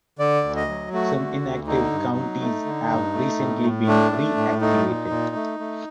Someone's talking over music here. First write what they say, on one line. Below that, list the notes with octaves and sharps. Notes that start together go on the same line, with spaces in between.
Some inactive counties have recently been reactivated.
D3 D5
D2
D#5
F#3
A3 F#4
D3
D2
D3 D#4
G2
F#3
A3
D3
G2
A3
A2
A2
A3 D4
A3
A2
A3 D#4
A#2
A#2
A3
A3